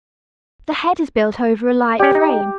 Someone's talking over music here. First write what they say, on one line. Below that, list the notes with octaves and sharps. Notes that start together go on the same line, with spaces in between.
The head is built over a light frame.
C#4 G4 D5
D#4